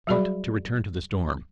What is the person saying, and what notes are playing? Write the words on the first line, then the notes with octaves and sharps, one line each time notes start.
But to return to the storm.
F#3 G3 F#4 G#4 D5 B5